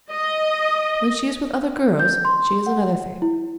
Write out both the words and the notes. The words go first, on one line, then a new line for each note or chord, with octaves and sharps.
When she is with other girls she is another thing.
D#5
G6
C6
F#5
E4